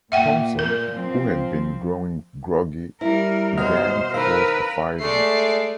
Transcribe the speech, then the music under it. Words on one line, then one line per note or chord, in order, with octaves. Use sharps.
Thompson, who had been growing groggy, began to force the fighting.
A#2 E5 F#5 G5
A#4
F3 C4
G3 E4 A#4 E5
D#2 B2 F#4 C5 D#5 F6
D#3 C4 A#4 B4 F5 B5 E6
G#3 A3 D5 C7